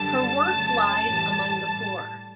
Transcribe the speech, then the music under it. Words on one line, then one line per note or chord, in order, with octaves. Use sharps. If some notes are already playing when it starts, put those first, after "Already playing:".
Her work lies among the poor.
Already playing: F#2 D3 G3 A5
F#2 C#3 F#3 A3
A2 E3 G3
A2 G3